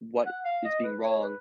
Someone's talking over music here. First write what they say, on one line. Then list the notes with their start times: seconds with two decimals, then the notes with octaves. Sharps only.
what is being wrong.
0.26 F#5
0.45 F5
0.64 D#5
0.84 B4
1.03 C#5
1.23 B4